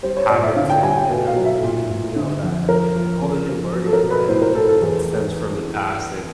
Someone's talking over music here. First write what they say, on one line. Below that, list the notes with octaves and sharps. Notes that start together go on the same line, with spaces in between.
habits, and and everything, you know, that ev and all the new learnings, right, I mean, it stems from the past and
G3 C5
C#5
A#2 D5
E5
D3 F5
G5
G3 G#5
G5
B2
F5
F#3
E5
A#2
A#2
D3
F2
F3 A#4
F3
C#3
F3
F#3
A4
A#4
B2
B4
A2 C5
A#4
A2 A4
A4
E2 G#4